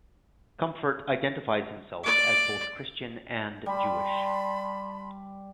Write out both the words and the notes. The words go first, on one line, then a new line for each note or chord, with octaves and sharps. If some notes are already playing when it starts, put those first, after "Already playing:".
Comfort identifies himself as both Christian and Jewish.
D5 D6
G3 A5 B5 C6